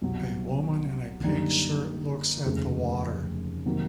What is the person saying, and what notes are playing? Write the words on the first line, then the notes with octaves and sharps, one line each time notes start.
A woman in a pink shirt looks at the water.
C2 B2 F#3
F#2 D3 G3 A#3 D#4
F1 D#2 C#3 F3 A3
C3 D#3 F#3 A#3